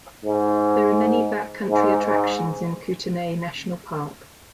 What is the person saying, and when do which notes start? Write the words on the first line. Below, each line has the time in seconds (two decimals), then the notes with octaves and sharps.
There are many back country attractions in Kootenay National Park.
0.25 G#2
1.70 G#2
2.06 G#2